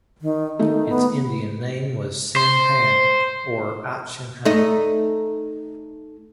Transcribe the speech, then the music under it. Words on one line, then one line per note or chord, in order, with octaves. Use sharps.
Its Indian name was Sinne-Hanne or Achsin-Hanne.
D#3
D#3 A3 D#4
B3
C5
A3 D#4